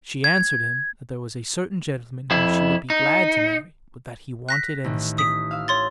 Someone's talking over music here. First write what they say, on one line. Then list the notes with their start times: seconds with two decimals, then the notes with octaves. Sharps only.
She answered him, that there was a certain gentleman whom she would be glad to marry, but that he wanted an estate.
0.24 G#6
2.31 F2 E4
2.90 D#4
4.49 F#6 A#6 B6
4.84 A1 D#3
5.18 D#6 B6
5.51 F5 E6
5.68 C#5 C6 A6